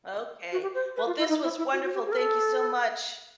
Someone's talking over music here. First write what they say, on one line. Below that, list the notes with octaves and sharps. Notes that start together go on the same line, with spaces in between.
Okay. Well, this was wonderful, thank you so much.
F#4
G4
C5
B4
F4
E4
D#4
E4
E4
F#4
F#4
G4
G#4
A#4
A4